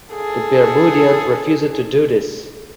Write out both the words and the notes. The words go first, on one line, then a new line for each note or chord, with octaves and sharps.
The Bermudians refused to do this.
G#4 A4